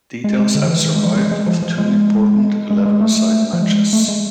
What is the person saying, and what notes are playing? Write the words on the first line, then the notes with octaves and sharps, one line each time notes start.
Details have survived of two important eleven-a-side matches.
G#3
G#3
D3
F3
E3
E3
G#3
F3
G#3
G#3
F3
F3
G#3
G#3
G#3
A3
F3
G#3
A3
G#3